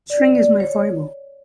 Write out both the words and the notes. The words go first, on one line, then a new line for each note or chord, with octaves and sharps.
String is my foible.
D5
D5
C#5